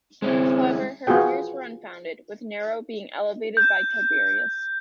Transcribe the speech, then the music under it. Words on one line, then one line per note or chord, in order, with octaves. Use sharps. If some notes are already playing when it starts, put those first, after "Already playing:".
However, her fears were unfounded, with Nero being elevated by Tiberius.
G#3 C4 C#4 E4
B3 F4 F#4 G#4 G5
G6